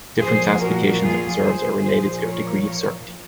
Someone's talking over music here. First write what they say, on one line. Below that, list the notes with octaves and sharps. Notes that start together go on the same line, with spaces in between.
Different classifications of reserves are related to their degree of certainty.
A#2 F3 G#4 C5
F#4 A#4
F4 G#4
G#4 C5
A#2 F3 G#4 C5
A#4 C#5